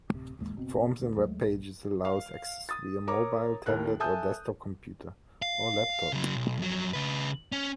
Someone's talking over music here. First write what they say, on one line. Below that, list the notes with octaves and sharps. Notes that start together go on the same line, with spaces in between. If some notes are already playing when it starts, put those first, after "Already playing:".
Forms in webpages allows access via mobile, tablet or desktop computer or laptop.
D1 C3
A1 D#2 G#3 A#3
F#1 B2 C4
D2 D3
D#2 F#3 G#3 A3
A#1
F5
D#6 A6
A#4 C#5 A#5 D6
D#2 A2 A#4 F#6
A4 E5 G#5 A5 D#6 G6
F5
C#3 F#3
B1
F2 F#3
C#3 B4
C#4